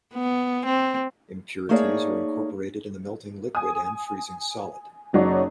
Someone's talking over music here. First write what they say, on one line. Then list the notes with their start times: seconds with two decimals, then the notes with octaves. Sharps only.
Impurities are incorporated in the melting liquid and freezing solid.
0.14 B3
0.65 C4
1.69 A3 A#3 D#4 G#4 C#5 D5
3.55 G#5 D#6
5.13 F#1 F#3 D#4 C#5 D5